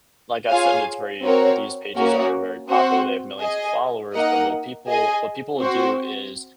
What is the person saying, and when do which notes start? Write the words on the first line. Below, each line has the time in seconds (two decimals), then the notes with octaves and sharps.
like I said, it's very these pages are very popular, they have millions of followers, but what will people what people will do is
0.50 F4 G#4 C#5 F5 G#5
1.23 C4 F#4 A#4 C#5
1.96 A#3 C#4 F#4 A#4
2.68 C4 F#4 C5 F#5
3.41 G#4 D#5 G#5
4.15 A#3 D#4 A#4 D#5 F#5
4.88 G#4 D#5 G#5
5.60 C4 F#4 C5